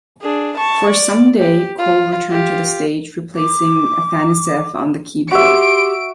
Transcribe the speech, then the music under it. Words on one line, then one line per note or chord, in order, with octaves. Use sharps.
For "Someday", Cole returned to the stage, replacing Afanasieff on the keyboard.
D4 G#4
A5 C#6
D5
G4
F4
F4 G4
D6
F#4 G4 E5 C6 D7